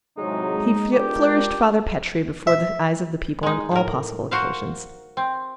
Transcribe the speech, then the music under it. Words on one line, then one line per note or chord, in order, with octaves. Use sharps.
He flourished Father Petre before the eyes of the people on all possible occasions.
A2 C3 F#3 G#3 D#4
D4 F4 G4 A#4
E5
G#3 D#4
A2 A#4
F#4 A#4 C5 F5
C4